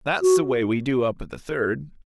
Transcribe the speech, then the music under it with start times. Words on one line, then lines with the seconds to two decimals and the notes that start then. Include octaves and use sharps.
"That's the way we do up at the Third."
0.21 F#4